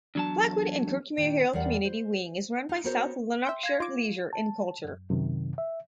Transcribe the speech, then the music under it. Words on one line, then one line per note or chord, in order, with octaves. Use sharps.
Blackwood and Kirkmuirhill Community Wing is run by South Lanarkshire Leisure and Culture.
E2 F#3 D4 A5
A#2 D#3
E2 G3 A#4 D5 F#5
C5
D#4
B3 F#4 G#4 A#4 C5 C#5
E5 G5 C6
F5 G#6 A#6
F4 D6
A5
F#2
F#2 C3 D#3
E5